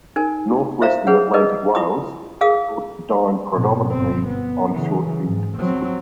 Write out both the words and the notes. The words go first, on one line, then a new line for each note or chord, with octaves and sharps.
Northwestern Atlantic whales are thought to dine predominately on short-finned squid.
D#4 A#4 G#5
E4 C5 E5 F5 A#5
G#4 B4 C#5 F#5
E4 G#4 A#4 B4 D#5
E4 F4 B5 D#6
G#4 A#4 F5 D#6
G#2 B2
G1 C4
B3
C#3 E3
G#2
F#3 C4